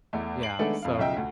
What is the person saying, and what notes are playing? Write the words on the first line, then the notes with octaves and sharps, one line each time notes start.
Yeah. So,
E2 A3
C7 D7 F#7
D#3 G#3 A3 B3 D4 A4
F2 F5
B1 C#3 F4 D#5 E5 G5
D2